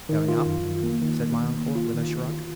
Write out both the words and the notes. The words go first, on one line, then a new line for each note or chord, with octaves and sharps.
"Going up!" said my uncle, with a shrug.
D#3
F4
F#2
D#3
A#3
D#3
A#3
D#3
A#3
F4
D#3
F4
F4